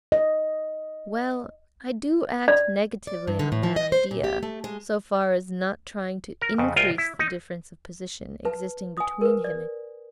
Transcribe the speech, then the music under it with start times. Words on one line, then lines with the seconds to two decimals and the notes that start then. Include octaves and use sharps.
"Well, I do act negatively on that idea, so far as not trying to increase the difference of position existing between him and me."
0.12 D#5
2.48 D5
3.07 D5
3.28 G2
3.39 D3
3.52 A2
3.63 F3
3.76 D#5
3.92 C5
4.11 A#2
4.24 G4
4.43 A3
4.64 G#3
6.41 A#4
6.58 F2 C#3
6.76 C2 F4 A#4 D#5 G5 G#5
6.98 E4
7.19 D#4
8.45 B4 A5
8.97 G#5 D#6
9.21 A#4 B4
9.44 D5